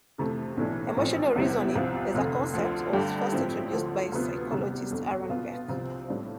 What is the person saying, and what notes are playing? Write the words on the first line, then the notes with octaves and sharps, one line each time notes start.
Emotional reasoning, as a concept, was first introduced by psychologist Aaron Beck.
F2 C3 E3 A3
B1 A2 E3 A3 D4
A1 A2 F3 C4
E2 C3 G3 C4 E4
C2 C3 F3 C4 F4
F1 F2 D3
D2 D3 F3
G2 D3 G3 D4 G4
A2 F3 C4 E4 G4
D2 D3 F3
D2 C3 F3 B3
E2 C3 G3
G1 F2 D3
B2 B3 F4
C2 C3 F3 C4
A2 G3 D4 F4